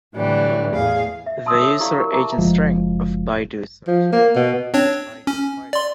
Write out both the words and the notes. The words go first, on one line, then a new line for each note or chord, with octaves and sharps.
The user-agent string of Baidu search engine is "Baiduspider".
A2 D3 E3 F#3 G3
E2 A2 G#4 F5
E5
E5 A5 C6 D#6 E6
A4 C#5
E4 G4 D5 F5 C#6
F#4 G4 A#4
E5 A5 A#5 D6
F#1 F3 G#3
F3
A#3
B2
C4 D4 C#5
C#4
D5 C6